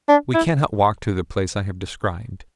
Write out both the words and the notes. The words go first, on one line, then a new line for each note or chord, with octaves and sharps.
We cannot walk to the place I have described.
D4
E4